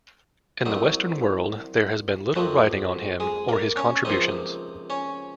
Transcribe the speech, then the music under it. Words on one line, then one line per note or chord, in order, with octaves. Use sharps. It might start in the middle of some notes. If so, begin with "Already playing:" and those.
In the Western world there has been little writing on him, or his contributions.
C2 C3 F#3 D#4
F2 C3 F3 F#3 A#3 F#4
G#3 G#4
A#3 A#4
C#4 C#5
C#2 C3 F3 A#3 D#4 D#5
C#4 C#5